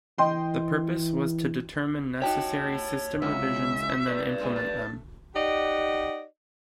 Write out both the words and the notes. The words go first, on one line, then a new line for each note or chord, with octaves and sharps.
The purpose was to determine necessary system revisions and then implement them.
E3 D#5 G5 C6
D#4 F#4 G4 C#5 A5
C#2 E3 F#3 C#4 E5
B4 D5
E3 G#3 C4
A3 A5
D#4 G4 D5 D#5 F#5